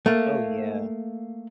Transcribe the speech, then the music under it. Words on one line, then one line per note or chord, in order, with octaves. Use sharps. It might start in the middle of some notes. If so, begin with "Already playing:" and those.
Oh, yeah.
A3 A#3